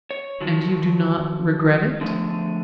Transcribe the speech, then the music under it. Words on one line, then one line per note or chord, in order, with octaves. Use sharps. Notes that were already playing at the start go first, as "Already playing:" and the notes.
"And you do not regret it?"
C#5
D#3 F3 F#3
D3 F3 G#3 A3